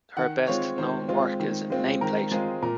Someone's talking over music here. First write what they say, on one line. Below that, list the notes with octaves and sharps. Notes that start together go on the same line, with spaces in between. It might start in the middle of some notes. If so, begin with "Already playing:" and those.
Her best known work is Nameplate.
D#3 F#5
G#3 C4 F4 C#5
D#3 C5
G#3 C4 F4
D#3
G#3 C4 F4
D#3 A#4
G#3 C4 F4 G#4
A#2 A#4